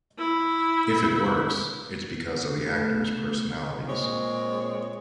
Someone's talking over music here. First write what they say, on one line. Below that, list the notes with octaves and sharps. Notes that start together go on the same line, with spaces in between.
If it works, it's because of the actors' personalities.
E4
A3 B3 A4
A#2 G#3 C4 C#5